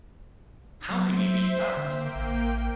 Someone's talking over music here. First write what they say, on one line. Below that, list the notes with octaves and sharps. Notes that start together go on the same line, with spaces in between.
How can you beat that?
F#3 C5 E5
D3 A#3 G5
A1